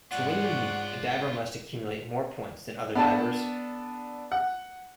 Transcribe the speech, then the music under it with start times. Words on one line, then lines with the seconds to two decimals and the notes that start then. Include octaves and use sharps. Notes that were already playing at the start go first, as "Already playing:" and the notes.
To win the meet the diver must accumulate more points than other divers.
0.11 G#2 F4 C#5 D5 F#5 F#6
2.96 B3 D4 A4 A5
4.32 F#5